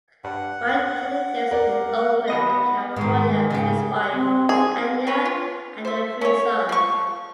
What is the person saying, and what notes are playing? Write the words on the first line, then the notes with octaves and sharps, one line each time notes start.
Wright currently lives in Oakland, California with his wife, Anya, and their three sons.
G2 F#5
F#7
A#4 D5
D#2 B3 D#5 A#6
G#2 D#3
C#3 G4
C4
G#4
B4 C#5
F4
C5 E5
C#4 C#5
F3 C#6